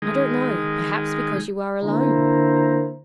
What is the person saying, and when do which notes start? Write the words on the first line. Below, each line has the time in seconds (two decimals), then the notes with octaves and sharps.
"I don't know; perhaps because you are alone."
0.02 D#3 G#3
1.82 D3 A#3 E4 C5 A#5